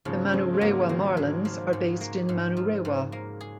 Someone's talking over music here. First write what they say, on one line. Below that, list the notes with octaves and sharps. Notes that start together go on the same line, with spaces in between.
The Manurewa Marlins are based in Manurewa.
G#2 C#3 F3
C#4
F3 G#3 C4
G#3
G#2 F#3 A#3
D#3 F#3 A#3
G#2
F3
G#2
A#3
G#2
F3
G#2
A#3
G#4